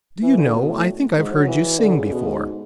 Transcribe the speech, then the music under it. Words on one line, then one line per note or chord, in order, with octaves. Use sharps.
"Do you know, I think I've heard you sing before."
E3
D3
B2
A2
G#2
F#3
E3
D3
C#3
B2
G#2